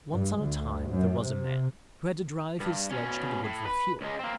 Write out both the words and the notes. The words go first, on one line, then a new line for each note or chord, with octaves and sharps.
Once on a time there was a man, who had to drive his sledge to the wood for fuel.
G2
D2
F#2
C3
G2
B2 C#4
A2
B4
C#2 G#3
A#3 C4